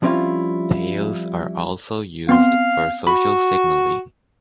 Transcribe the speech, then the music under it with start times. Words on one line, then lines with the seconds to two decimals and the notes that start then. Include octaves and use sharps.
Tails are also used for social signaling.
0.02 F3 G3 C4 C#4 E4 F4
2.29 B3 C4 F5 C6
3.07 F#4 B5